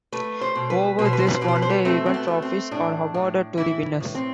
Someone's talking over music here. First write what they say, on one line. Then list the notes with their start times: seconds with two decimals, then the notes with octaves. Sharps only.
Over this one-day event, trophies are awarded to the winners.
0.12 A3 B4
0.41 C5
0.55 B2
0.70 B4
0.99 B2 B4
1.06 C5
1.13 B4
1.20 C5
1.27 B4
1.34 C5
1.41 B2 B4
1.48 C5
1.56 B4
1.62 C5
1.70 B4
1.85 A3 C4
2.06 C4
2.14 B3
2.28 A3
2.42 C4
2.71 A2 D4
3.14 A2
3.57 E3 E4
4.00 A2
4.15 C4